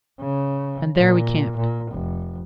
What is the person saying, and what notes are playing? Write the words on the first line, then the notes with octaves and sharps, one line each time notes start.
And there we camped.
C#3
A#2
A#2
F1